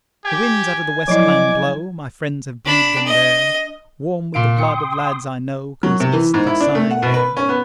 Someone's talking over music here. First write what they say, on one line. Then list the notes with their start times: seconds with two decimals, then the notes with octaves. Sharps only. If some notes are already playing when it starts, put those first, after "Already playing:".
The winds out of the west land blow, My friends have breathed them there; Warm with the blood of lads I know Comes east the sighing air.
0.25 G4 G#5
1.08 F3 F#3 E4 D#5 D6
2.66 D4 B5
3.06 D#5
4.34 A#2 F5 D7
4.58 G5 C6 D#6 C#7
5.83 F#3
6.00 C3
6.13 E3
6.34 G#2
6.47 E4
6.60 D4
6.75 A3
6.91 F#5
7.02 B2
7.14 B4
7.37 C#4
7.49 B3